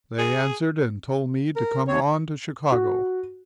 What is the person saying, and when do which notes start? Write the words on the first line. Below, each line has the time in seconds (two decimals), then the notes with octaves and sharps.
They answered and told me to come on to Chicago.
0.18 G#4
1.56 A#4
1.88 D#2 C4 C#5
2.72 F#4